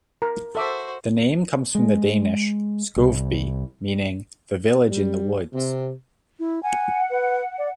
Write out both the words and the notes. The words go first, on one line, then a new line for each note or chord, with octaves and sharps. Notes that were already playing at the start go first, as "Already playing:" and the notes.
The name comes from the Danish "Skovby", meaning the "Village in the Woods".
A#4
F#4 A4 C5 E5 D6
G#3
C2
G3
C3
E4
F#5 G#5
B4
D5